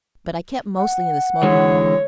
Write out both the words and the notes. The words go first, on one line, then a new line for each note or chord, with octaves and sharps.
But I kept mostly in the smoking-room.
F#5
D3 E3 G#3 C#5